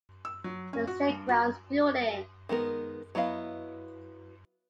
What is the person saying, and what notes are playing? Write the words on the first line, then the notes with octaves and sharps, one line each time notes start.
The Seagram's Building!
E6
F#3
C#4
F#4
G2
F#4
D#3 G#3 B3 A#4
F#3 B3 E4 D#5 F5